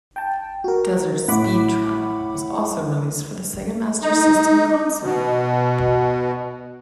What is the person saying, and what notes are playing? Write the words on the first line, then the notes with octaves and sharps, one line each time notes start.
"Desert Speedtrap" was also released for the Sega Master System console.
G5 A5
F#4 A#4
A2 F#5 B5 D6
D#4
B2